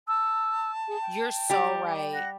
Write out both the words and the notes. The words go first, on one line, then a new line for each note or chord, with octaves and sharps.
you're so right.
A5 E6
G#4
G5
G3 G4
F#5 A#6